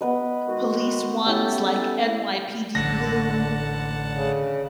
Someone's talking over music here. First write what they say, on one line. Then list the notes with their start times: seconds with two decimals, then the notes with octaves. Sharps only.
police ones, like, NYPD Blue
0.01 B3 B4 D#5
0.47 D#3 G#3 F#4
1.26 C#4 E4 G4 A4
2.75 A1 D3 F#5 A5 A#6
4.14 C#3